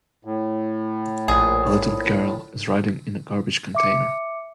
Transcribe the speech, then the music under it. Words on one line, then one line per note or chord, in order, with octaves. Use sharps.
A little girl is riding in a garbage container.
A2
A#1 G#4
E5 D6 C#7